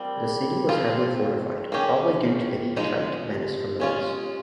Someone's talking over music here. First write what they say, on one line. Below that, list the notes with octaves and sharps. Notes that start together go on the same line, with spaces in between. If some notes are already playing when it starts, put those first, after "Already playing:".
The city was heavily fortified, probably due to the Hittite menace from the west.
Already playing: G3 C4 F4 A#4
G#4
F3 C4 F4
G#4
A#3 C#4 G4
F4
F3 G#3 D#4
G4
G#3 C#4 F4